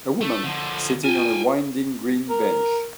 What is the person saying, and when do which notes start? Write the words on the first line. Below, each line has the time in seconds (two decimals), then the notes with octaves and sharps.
A woman sitting on a winding green bench.
0.21 A3
0.44 D3 F3
1.04 F4 G5 G#5
2.29 A#4